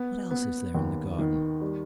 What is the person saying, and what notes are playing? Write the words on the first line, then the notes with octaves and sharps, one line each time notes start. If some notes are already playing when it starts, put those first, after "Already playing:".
"What else is there in the garden?"
Already playing: B3
B3
D#2
D#3
G3